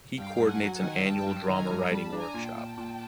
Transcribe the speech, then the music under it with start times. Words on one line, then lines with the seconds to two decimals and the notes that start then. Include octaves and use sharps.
He coordinates an annual drama writing workshop.
0.18 G2 F5 G5
0.40 G2
0.48 F#5 G#5
0.62 F#3
0.76 F#5 G#5
0.83 D#3
1.05 G2 G5 A5
1.26 G2
1.48 D#3 G#5 A#5
1.70 G2
1.91 G3 A5 B5
2.13 D4
2.19 G#5 A#5
2.34 A#2
2.49 G5 A5
2.56 A#2
2.78 A#2